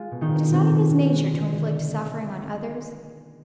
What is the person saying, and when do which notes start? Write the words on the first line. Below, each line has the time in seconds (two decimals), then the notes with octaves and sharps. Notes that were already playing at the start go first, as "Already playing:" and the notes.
It is not in his nature to inflict suffering on others.
Already playing: G#3 F4
0.12 B2
0.21 D#3 D#4
0.32 B2
0.52 B2 C4
0.73 B2
0.92 B2
1.12 G#3
1.33 D3
1.54 D3